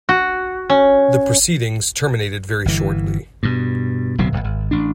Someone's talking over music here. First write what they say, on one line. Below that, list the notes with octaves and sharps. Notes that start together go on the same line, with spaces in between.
The proceedings terminated very shortly.
F#4
C#4
G1 E3
G2 B2
D1 B1 C3 F#3
D1 A#1
G#1
A1 D4